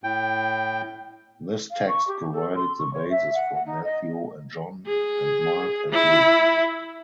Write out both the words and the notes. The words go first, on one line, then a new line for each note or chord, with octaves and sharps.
This text provided the basis for Matthew and John and Mark and Luke.
A2 G5
F5
C#6
G4
A4
C6
C#6
C#5
E5
F#5
F#5
D#4
D#5
G#4
E4